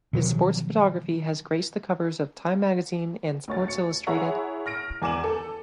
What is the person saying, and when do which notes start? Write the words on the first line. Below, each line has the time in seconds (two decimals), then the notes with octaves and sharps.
His sports photography has graced the covers of Time Magazine and Sports Illustrated.
0.13 B2 D#3 F3 F#3
3.48 D2 C#5 A6
3.68 C#7
4.07 E4 G#4 C#5 E5 F#5 A#5
4.66 F6 A#6 D7
5.02 E2 G#5 D6 E7 F#7
5.24 A4